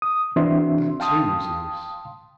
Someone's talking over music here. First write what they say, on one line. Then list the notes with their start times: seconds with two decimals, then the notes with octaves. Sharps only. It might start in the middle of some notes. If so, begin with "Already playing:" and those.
That too was loose.
0.02 D#6
0.36 E3 C4 D4 F#4 E5 C6
1.00 F5 G5 A5 C6 D#6